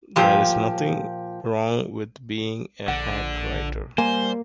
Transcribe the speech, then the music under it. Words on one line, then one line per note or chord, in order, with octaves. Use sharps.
There is nothing wrong with being a hack writer.
A#2 F3 G4
A#1 D3 F#5
G3 A#3 C5 G#5